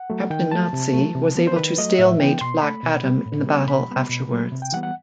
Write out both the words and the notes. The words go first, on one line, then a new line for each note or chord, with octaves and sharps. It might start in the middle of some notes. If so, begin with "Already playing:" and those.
Captain Nazi was able to stalemate Black Adam in the battle afterwards.
Already playing: F#5
F#3 A3
D#3 G5
F#3 A3 A5
C3
F#3 A3
C3
E3 B3
C5
D#3 B4
F#3 A3 D#5
A2 E5
E3 B3 G5
B2 C6
A3 B5
B2
G3 B3
A2
G3 B3
B2 B5
G3 B3
B2
F#3 A3
C3
G5
E3 G3 B3 F#5
F#5